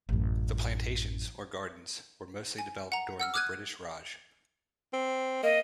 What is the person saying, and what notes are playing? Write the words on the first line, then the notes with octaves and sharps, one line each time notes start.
The plantations, or gardens, were mostly developed during the British Raj.
A1 F#2
G#5
F#5 A#5
F#5 E6 F6
D6 D#6 F6 F#6 G#6 D#7
C4
A#3 D#5